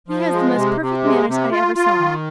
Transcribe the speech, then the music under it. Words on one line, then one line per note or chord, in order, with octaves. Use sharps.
He has the most perfect manners I ever saw.
F3
G#3
C3
C3
G#3
C3
F4
F4
D#3